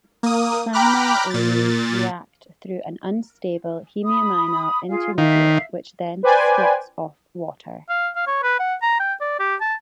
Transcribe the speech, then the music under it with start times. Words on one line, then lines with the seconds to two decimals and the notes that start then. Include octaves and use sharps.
Primary amines react through an unstable hemiaminal intermediate which then splits off water.
0.23 A#3 D#6
0.73 G5 A#5 B5 D6 F6 F#6
1.30 A#2 A6
4.04 B5 D#6
4.89 F4 G#4 F5
5.18 D#3 E5 F5
6.23 B4 C5 D5 G5 G#5
7.89 F5
8.15 F5
8.27 C#5
8.43 B4
8.59 F#5
8.82 A#5
9.00 G5
9.21 D5
9.39 G4
9.61 A5